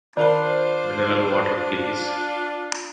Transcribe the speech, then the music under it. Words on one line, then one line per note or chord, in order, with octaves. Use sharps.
Mineral water please!
D#3 D4 F4 A#4 C5 D5 B5